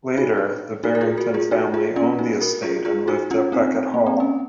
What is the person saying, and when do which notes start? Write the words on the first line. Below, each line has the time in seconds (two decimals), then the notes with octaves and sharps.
Later the Barrington family owned the estate and lived at Beckett Hall.
0.17 D#4 F#4
0.84 D#4 F#4
0.95 A#4
1.01 F4 G#4
1.18 F#4 A#4
1.34 F4 G#4
1.51 D#4 F#4
1.74 F4 G#4
1.96 C#4 F4
2.19 D#4 F#4
2.41 F#4 A#4
2.62 F4 G#4
2.85 F4 G#4
3.08 D#4 F#4
3.31 C#4 F4
3.52 C4 D#4
3.94 A#3
4.06 C4
4.20 C#4